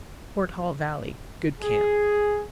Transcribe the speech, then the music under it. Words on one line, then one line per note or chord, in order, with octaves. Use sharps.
Fort Hall Valley.--Good camp.
G#4